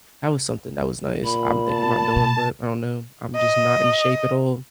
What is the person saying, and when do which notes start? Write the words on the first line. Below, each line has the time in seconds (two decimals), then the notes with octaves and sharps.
that was something, that was nice. I'm thinking about doing, but I don't know. I'm just not in shape at all.
1.24 A#2 B5
1.65 A5
2.16 B2
3.36 D#5